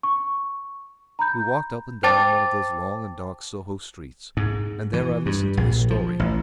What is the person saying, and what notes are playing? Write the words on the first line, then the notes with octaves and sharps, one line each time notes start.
We walked up and down one of those long and dark Soho streets, and there I listened to his story.
C#6
A#5 B5 G6
C5 G5 A5 D6 A6
G#2
E3
G2
A#1
F3
A1